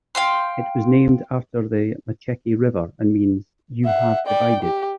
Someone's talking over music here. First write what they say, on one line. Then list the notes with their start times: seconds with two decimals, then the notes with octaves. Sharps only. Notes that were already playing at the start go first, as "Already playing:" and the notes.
It was named after the Macheke River and means "you have divided".
0.15 F5 G5 C6
3.85 E5 F#5
4.27 D5 G5
4.63 G4